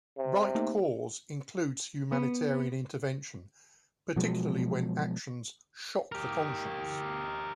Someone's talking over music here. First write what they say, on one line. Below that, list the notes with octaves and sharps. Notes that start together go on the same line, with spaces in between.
Right cause includes humanitarian intervention, particularly when actions "shock the conscience".
C3
A3 A#3 D#4
B3
B2 F3 F#3 G#3
G4 A#4